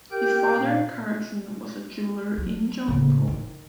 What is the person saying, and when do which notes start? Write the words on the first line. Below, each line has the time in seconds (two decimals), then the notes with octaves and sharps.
His father Kharagsen was a jeweller in Jaunpur.
0.12 G4 A#4 G5 G6
0.57 A#2 F5
2.38 F#3
2.88 A2 C#3
3.27 D#3